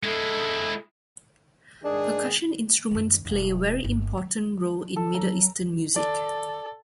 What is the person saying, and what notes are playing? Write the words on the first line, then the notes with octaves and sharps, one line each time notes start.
Percussion instruments play a very important role in Middle Eastern music.
G#3 E4 A4
G#2 D#3 D4 G#4
F#2 D#3
E1 F4
G1
G3
A4
F#3 A#5
A4 D5